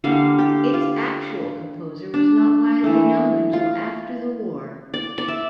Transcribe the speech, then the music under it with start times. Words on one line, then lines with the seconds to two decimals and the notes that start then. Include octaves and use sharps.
Its actual composer was not widely known until after the war.
0.04 D3 G3 A#3 F5
0.39 G4
0.74 F4
2.14 D4
2.84 E3 A3
3.53 F4
4.94 D5
5.18 D5
5.28 E5